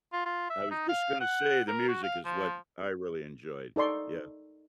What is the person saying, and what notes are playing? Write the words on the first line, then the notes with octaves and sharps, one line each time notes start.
I was just gonna say, the music is what I really enjoyed. Yeah.
F4
F4
E5
D#4
F5
F#5
A#4
F#4
F5
F3
D#4 A4 D5 C6 C#6